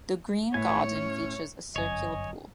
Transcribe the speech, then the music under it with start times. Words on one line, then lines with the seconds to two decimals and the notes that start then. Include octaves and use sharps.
The Green Garden features a circular pool.
0.54 A2 B4 C#5 G#5
0.95 C#4
1.76 G1 F#2 C#5 D#5 G#5